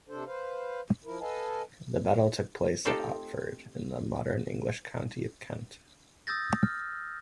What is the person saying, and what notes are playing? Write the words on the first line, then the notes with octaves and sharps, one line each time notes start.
The battle took place at Otford, in the modern English county of Kent.
C3 D4 A4 C5
B4 C5 F5
F3 E4 A#4
A4 B4 D#5 F5 G#5 A5
A3 C4 D#4 F4 G4 A4
D#6 E6 G6 A6 A#6
F6